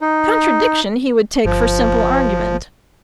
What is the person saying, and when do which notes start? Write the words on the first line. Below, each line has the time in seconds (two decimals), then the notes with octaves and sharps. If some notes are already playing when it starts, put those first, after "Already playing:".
Contradiction he would take for simple argument.
0.01 D#4
1.45 G1 F3